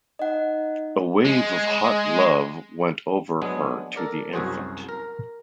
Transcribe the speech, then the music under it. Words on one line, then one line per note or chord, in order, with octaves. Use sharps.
A wave of hot love went over her to the infant.
D#4 D#5 F#5
G#3
F#3 G#3 B3 D4 G#4
A4 A#4 D5
C2 F#2 F#4 G#4 C5
A#4